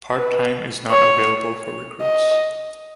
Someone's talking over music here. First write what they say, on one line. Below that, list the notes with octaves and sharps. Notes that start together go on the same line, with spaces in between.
Part-time is not available for recruits.
B4
C#5
D#5